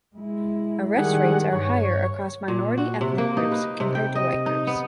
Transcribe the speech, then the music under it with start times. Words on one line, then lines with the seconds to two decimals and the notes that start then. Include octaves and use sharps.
Arrest rates are higher across minority ethnic groups compared to white groups.
0.16 G#3 E4
0.98 D#3 G3 G#4 F#5
1.53 G2 C#5
2.48 A#2
2.78 F#4
3.01 C3
3.18 A#3
3.37 D#4
3.52 B4
3.80 C3
3.95 G5
4.15 D#5
4.46 D#4
4.67 B3